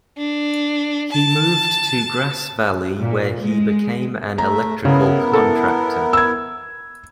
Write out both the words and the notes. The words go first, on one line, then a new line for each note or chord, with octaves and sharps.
He moved to Grass Valley where he became an electrical contractor.
D4
A5
A#2
G#3
A3 E5 A#5
C#3 B3 E4 A#4
A4
E6 G#6